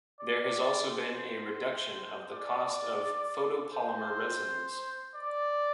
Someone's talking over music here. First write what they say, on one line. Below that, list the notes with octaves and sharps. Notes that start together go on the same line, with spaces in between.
There has also been a reduction of the cost of photopolymer resins.
D5
C5
D5
C5
D5